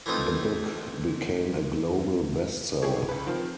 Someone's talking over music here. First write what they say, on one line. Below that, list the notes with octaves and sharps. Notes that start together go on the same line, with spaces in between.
The book became a global bestseller.
E3 A3 C4 D#4 F4
E4 G4 G#4 C#5
C#2 B4
D#3 F3 C4 F4